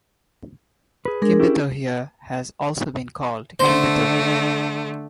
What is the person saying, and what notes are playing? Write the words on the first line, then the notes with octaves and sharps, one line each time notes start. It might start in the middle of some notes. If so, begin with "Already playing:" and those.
"Kimbetohia" has also been called "Kimbetohi".
G#4 B4
G#3 D4 G#4 A#4
C#4 E4 G4
D3 A3 C5